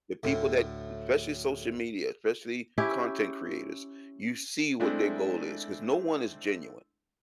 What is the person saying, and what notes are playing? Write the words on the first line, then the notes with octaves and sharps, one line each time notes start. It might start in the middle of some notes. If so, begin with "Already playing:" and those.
The people that especially social media, especially content creators, you see what their goal is 'cause no one is genuine.
D2 A2
C#4 E4 G4
G#3 A3 C4 D4 E4